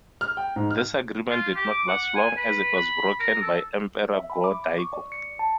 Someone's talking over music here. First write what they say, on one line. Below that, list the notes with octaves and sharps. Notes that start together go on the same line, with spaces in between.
This agreement did not last long, as it was broken by Emperor Go-Daigo.
F6
G5
G#2
F6
F4
G4
D6
F#5
G#5
B4
B5
A#4
A4
E5
B5
D6
C#6
D5
C#7
A5